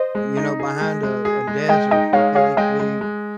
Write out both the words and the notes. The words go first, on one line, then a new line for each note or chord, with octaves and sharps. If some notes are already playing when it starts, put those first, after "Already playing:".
you know, behind a a desk, or f or physically,
Already playing: C5 D#5
G#3
D#4
G#4
G#3
G#3
G#4
G#3
G#3 D#5 G5
D#4 D#5 G5
G#3 C#5 F5
G#4 C#5 F5
G#3 D#5 G5
G#3
G#3